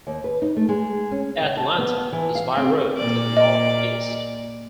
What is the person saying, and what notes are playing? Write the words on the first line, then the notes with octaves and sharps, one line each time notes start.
Atlanta is by road to the northeast.
D#2
B4
D#4
A3
G#3
C#4
C#3
A5
B3
E3
F5
C4
A#2 D5
D#5